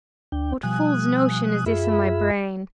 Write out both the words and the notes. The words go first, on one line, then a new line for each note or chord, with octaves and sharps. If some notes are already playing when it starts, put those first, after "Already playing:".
What fool's notion is this in my brain?
D2 D4 G5
B2 F3 G3 G#5 D#6 F#6
F#2 F4 G#4 E5 B5